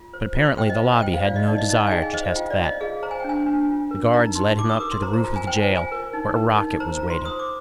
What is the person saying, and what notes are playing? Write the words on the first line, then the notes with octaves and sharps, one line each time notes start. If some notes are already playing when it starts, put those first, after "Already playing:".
But apparently the Lobby had no desire to test that. The guards led him up to the roof of the jail, where a rocket was waiting.
Already playing: F4
C5
F4
C5 G5
D#5
F4
G5
C5 G5
F5
F4 D5
D#5
D#4 D5
D#5
D#4 D#5
F5
G#5
G#4 G5
D#5
C5 D#5
F5
F4 G5
D5
F4
D#5
G#4 F5
C5 A#5
G#5
G5
D4
G#5
D4
F4
A#4
D#4 A#5
D#4 C6
G4 D6
D#6
A#4 D6
C6
C5 A#5
A#5
F4 A#5
G#5
C5 G5
G#5
F4
G#5
A#4
D#4
A#4
D#4
C5 A#5
A#5
F4
C6
C5 D#6
D6